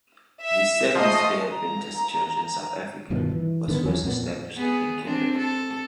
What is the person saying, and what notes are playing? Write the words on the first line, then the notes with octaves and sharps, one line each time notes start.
The Seventh-day Adventist Church in South Africa was first established in Kimberley.
E5
G#2 F3 A3 D#5 C7
A#5
G2 B2 D#3 F3
E3
D3 D#3 G3 B3
E2 F3 F#3 C#4
F2 A#2 A#3 B3
B3 G#4
C4 D4
A4